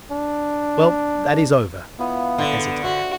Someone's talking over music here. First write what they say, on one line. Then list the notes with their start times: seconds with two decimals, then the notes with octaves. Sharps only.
"Well, that is over." I hesitated.
0.12 D4
1.99 B3 E4 F4 D#6
2.38 D3
2.82 F#4 C5 E5 C6